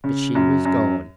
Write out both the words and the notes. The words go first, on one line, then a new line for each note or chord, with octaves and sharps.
But she was gone.
C#3
F#2
F#2